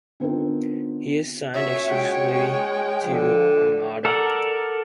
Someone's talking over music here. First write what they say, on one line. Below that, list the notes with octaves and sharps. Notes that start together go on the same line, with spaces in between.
He is signed exclusively to Armada.
D3 B3 C4 D#4 F4 A#4
A#2 C#4 F#4 C#5 E5
G#3 G5
D3 F3
A4 A#4 D5 F#5